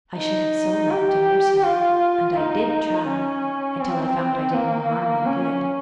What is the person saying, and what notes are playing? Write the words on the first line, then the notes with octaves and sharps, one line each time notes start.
I should have so loved to nurse her; and I did try, until I found I did more harm than good.
D#4
G4
F4
D#4
C#4
C4
A#3
C#4